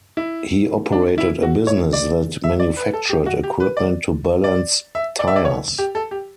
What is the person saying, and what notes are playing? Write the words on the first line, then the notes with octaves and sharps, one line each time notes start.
He operated a business that manufactured equipment to balance tires.
E4
D4
E4
F#4
C#5
D5
E5
D5
B4
A4
G4
F#4
G4
B4
D5
D5
E5
D5
E5
D5
C#5
G4
A4
G4